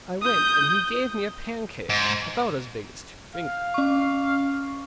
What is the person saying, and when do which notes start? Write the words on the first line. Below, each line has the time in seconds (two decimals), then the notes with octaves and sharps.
I went, and he gave me a pancake, about as big as two fingers.
0.22 D#6 G6
1.89 G#2
3.35 F5
3.74 C#4 C#6